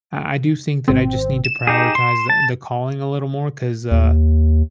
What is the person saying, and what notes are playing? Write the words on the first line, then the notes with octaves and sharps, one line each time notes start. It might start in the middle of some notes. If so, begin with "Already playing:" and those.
I I do think that I just need to prioritize the the calling a little more 'cause, uh,
G#1 C4
E7
D#4 G4 G#4
C6
A5
D#2